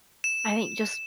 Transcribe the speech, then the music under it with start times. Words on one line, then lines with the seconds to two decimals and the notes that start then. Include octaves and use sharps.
I think just
0.24 E7